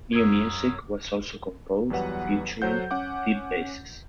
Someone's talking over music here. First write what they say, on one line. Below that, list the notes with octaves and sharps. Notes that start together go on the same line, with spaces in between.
New music was also composed featuring deep basses.
F#2 A#4 C#5 D#6 E6 B6 C7
E2 F#3 G3 B4 F#5
F#3 A4 C5 F#5 G6
C#4 F#5 D6